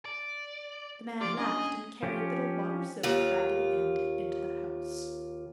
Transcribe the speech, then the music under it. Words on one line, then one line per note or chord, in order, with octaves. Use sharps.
The man laughed and carried little water-soaked Raggedy Andy into the house.
D5
F3 A#3 F4 G4 D5
A#3 C#4 D4 G#4 D#5
F3 C#4 G4
D#2 F4